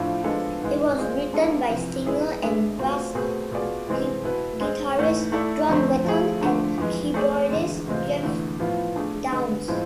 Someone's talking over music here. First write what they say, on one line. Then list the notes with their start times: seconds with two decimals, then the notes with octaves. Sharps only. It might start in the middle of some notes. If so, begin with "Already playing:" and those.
It was written by singer and bass guitarist John Wetton, and keyboardist Geoff Downes.
Already playing: A2 F3 A3 D4 F4
0.24 F3 G#3 B3 D4 A4
0.61 G#2 E3 G#3
0.97 G#3 C4 F4 G#4 D5
1.33 G#3 B3 D4 F4 A4
1.69 F2 C3 E3
2.06 G#3 B3 E4 G#4
2.42 G#3 D4 G#4 B4 E5
2.79 B2 A3 C4 F4
3.15 B2 A3 C4 G#4 B4
3.51 B2 B3 F4 G#4 D5
3.87 C3 E3 G#3 C4 G#4
4.24 B2 B3 E4 B4
4.60 G#3 C4 G#4
4.96 G#2 E3 A3 E4
5.32 A3 E4 A4 D5
5.69 F2 D3 A3 C4
6.05 F3 A3 E4 G#4
6.41 D3 F3 A3 D4
6.78 F2 E3 G#3
7.14 A3 C4 G#4 D5
7.50 E2 D3 G#3
7.87 E2 C3 G#3 C4 F4
8.23 E2 D3 A3 E4
8.59 A2 F3 B3 F4
8.96 A3 D4 G#4
9.32 D3 G#3 B3
9.68 A2 F3 G#3 C4 E4